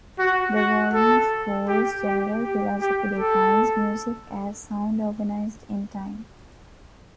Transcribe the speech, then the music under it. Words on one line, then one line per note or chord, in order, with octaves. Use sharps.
The Walden School's general philosophy defines music as sound organized in time.
F#4
F#4
A4
G4
G4
G4
G4
A4